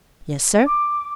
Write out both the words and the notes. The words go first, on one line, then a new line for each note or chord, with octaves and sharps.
"Yes, sir."
D6